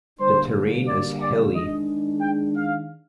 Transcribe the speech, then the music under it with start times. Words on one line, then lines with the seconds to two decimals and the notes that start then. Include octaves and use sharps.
The terrain is hilly.
0.20 D3 G3 A#3 D4 C5
0.87 D5
1.21 D5
1.54 D#3 G#3 D4 D#5
2.21 G5
2.55 F5